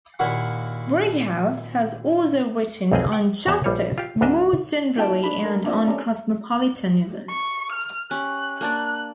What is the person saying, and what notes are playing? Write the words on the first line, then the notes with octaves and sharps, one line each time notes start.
Brighouse has also written on justice more generally and on cosmopolitanism.
D#2 A#2 E4 F#4 F#5 C#6
B1 F2 C4 F4 G#4 D#5
F#5 G5
E2 B3 E5 F#5 A5 A#5
A#1 G3 F4 C#5 G#5
F4 G4 F5
D2 G#2 D4 A#4 D#5 E5
A#3 D#4 F4 E5 G5 A5
D4 B5
A3 A#4
A#3 C4 D4 F4 D#5 E5
C#4 G4 A4 D5 A#5
C#6
F6
C#4 G4 F#6
A#3 D4 D5 F#6